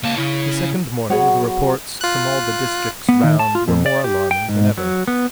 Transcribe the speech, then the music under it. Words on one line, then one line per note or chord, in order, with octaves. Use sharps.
The second morning the reports from all the districts round were more alarming than ever.
C#2 A#3 A5
C#3 E4
F#3 B3 F#4 G#4 C#5 F#5
F4 F#6
B3
D#3
A5
F4
F2
D5
G4
G5
G#2
F#3
B3